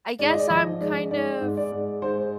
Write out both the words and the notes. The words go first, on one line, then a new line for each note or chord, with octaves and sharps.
I guess I'm kind of
G#2 D5
D#5
D5
F3 D#5
G#2 D5
G#2 D5
G#2
D5
G#2
G#2 C5